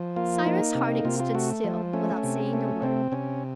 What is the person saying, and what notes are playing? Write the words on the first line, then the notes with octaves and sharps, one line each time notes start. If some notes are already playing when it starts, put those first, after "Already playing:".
Cyrus Harding stood still, without saying a word.
Already playing: F3
A#3 F4
A#3 D#4
C3
C3 F4
F4
A3 F#4
F3
A3 C#4
C3
A3
C3 C4
C3 C#4